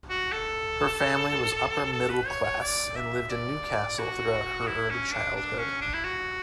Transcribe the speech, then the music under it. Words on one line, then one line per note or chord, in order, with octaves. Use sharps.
Her family was upper-middle-class and lived in Newcastle throughout her early childhood.
F#4
A4
A4
B4
C#5
C#5
D5
E5
D5
F#4
E4
C#4
D4
D4
C#4
D4
E4
F#4